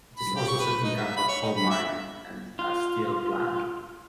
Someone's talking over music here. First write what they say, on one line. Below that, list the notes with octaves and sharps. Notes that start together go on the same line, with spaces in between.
It is also setting up a coal mine and a steel plan.
B5
G4
C#6
B4
D#4
E5
B5
C#5
D#4
B5
E5
F4